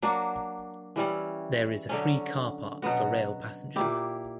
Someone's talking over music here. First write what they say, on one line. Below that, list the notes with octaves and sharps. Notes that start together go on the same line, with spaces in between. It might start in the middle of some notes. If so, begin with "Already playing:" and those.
There is a free car park for rail passengers.
F#3 A#3 D4 F#4
E3 G3 C#4 E4
D3 F#3 C#4
B2 F#3 B3 F#4
A#2 A#3 E4 G4